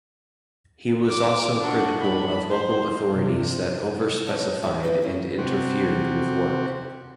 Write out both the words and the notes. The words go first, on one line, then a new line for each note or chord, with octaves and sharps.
He was also critical of local authorities that overspecified and interfered with work.
D6
D4 F#4
D4 B5
C5
G2 C3
B2 F3 G3 C4 C#4 D#4
D#2 A2 G#3 G#4 E5 G#5
A#3 D#4 E4 F#4 G4 B4
C3 G3 C#4
C3 C4 F#4